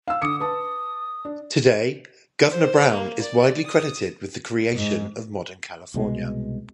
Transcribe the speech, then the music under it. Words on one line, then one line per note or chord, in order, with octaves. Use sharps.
Today, Governor Brown is widely credited with the creation of modern California.
F5 E6
D3 D6 D#6 C#7
B4 A5 D#6
D4
C5
A#3
D5
D#6
G#2
C2 B2 G3 G#3